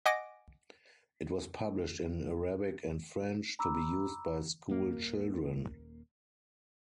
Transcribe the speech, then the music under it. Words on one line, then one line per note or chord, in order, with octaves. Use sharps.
It was published in Arabic and French, to be used by school children.
D#5 F#5 G#5 D6 A#6 D7
A#5 B5 D6 E6
D#1 A#3